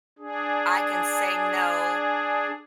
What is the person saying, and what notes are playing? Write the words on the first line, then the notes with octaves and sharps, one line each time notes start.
I can say, "No."
D4 G#4